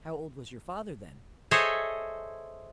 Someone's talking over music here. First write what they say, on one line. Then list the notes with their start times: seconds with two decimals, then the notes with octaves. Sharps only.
"How old was your father then?"
1.51 G#4 A4 C5 C#5 D#5 E5